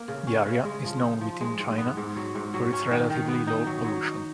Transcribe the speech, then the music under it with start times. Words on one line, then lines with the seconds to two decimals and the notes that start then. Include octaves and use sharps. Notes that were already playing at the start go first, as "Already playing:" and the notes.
The area is known within China for its relatively low pollution.
Already playing: A#3
0.08 C#3
0.27 C#4
0.46 C#3
0.65 G#3
0.84 F3
1.03 D#4
1.21 F3
1.41 G#3
1.59 G#2
1.78 B3
1.97 G#2
2.16 F#3
2.35 G#2
2.54 F#3
2.73 C#4
2.91 D#3
3.10 D#3
3.28 B3
3.47 D#4
3.66 F#3
3.84 F#3
4.04 D#4